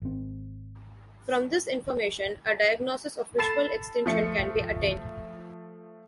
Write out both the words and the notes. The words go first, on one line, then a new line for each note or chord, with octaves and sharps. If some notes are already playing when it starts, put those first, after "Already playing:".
From this information, a diagnosis of visual extinction can be attained.
G#1 C4
A4 B5 A6 C7 E7
F3 A3 C#7